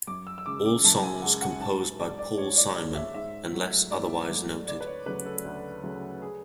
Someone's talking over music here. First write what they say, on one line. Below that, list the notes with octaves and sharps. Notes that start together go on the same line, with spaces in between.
All songs composed by Paul Simon unless otherwise noted.
F#2 D6
E6
E6
C#3 G#3 D6
D6
F#2 A5
G#5
C#3 G#3 F#5
F#5
G#2 A5
G#3 D5
D5
G#2 C#5
D5
G#3 D5
E5
G#2 E5
F#3 A3
G#2 D5
F#3 A3
D2 D5
B4
C#5
C#3 F#3 A3 B4
A4
D2
C#3 F#3 A3
G#4